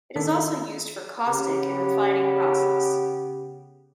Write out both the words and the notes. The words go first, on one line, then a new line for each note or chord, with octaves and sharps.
It is also used for caustic in refining process.
D#3 D4 A4
C#3 B3 G4